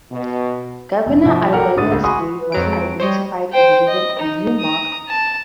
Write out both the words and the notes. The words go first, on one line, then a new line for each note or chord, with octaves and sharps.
Governor Arrillaga's grave was identified and given a new marker.
B2
F1
B2 F3 E4
G4 A4 A#4 F#5 A#5 F6
G#1 A2 D3 D#6 A6 D#7
C#2
F#4 G#5 B5 C6 D#6
B4
F2 F#3 D7
G#3
G3 C5 C#5 D#5
C5 G5
D#5
D#4
A#5 D#6
A5